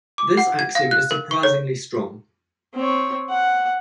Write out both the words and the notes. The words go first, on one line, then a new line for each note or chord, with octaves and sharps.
This axiom is surprisingly strong.
D6
F#5
G#6
F5
F#6
A#4
C#6
C#5
C4 C#5
F#5